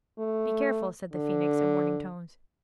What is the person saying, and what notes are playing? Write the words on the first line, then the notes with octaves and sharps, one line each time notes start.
Be careful,' said the Phoenix, in warning tones.
A3
D3